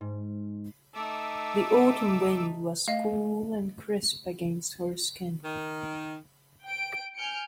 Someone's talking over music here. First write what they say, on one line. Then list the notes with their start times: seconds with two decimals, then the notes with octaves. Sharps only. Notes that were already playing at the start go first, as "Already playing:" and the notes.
The autumn wind was cool and crisp against her skin.
0.01 G#2
0.94 A3 D#4 D6 E6
2.88 A3 D#5 F5
5.44 D#3
6.64 G5 D7
7.16 G#5 F6 G6 C#7 D7